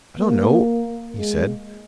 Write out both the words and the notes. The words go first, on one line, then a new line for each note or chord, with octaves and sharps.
"I don't know," he said.
A#3
G#3